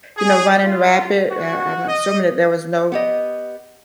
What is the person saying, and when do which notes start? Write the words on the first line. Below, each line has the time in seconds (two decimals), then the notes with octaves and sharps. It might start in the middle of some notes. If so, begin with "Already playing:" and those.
you know, running rampant, uh, I'm I'm assuming that there was no
0.17 G#4
0.64 F4
1.30 F#4
1.88 D#5
2.92 B3 G4 D#5